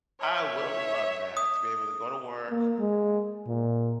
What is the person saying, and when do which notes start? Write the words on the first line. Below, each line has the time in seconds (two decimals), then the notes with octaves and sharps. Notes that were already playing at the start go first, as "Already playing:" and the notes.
I will love that to be able to go to work,
0.19 C#5 E5
1.37 D#6
2.50 A#3
2.79 G#3
3.47 A#2